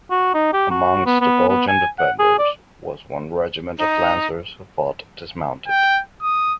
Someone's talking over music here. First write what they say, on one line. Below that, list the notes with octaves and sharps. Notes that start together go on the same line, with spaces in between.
Amongst the Belgian defenders was one regiment of lancers who fought dismounted.
F#4
D#4
G4
F#4
B3
B3
B3
G#5
F#5
G#4
D5
D#4
G5
D#6